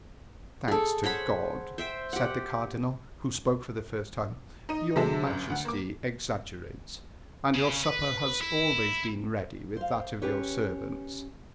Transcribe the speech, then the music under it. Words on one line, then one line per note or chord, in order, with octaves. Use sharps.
"Thanks to God," said the cardinal, who spoke for the first time, "your majesty exaggerates, and your supper has always been ready with that of your servants."
G#4 A4
C5 C#5 F#5 B5
C5 E5 G5
G4 F#5
D#4 D#5 D#7
C3 F#3 G#3 A4 E5
G1 F#2
D2 F#5
A#3 D6
C#3
B4
E4
C5 F5
C#4 G4 B4 C#5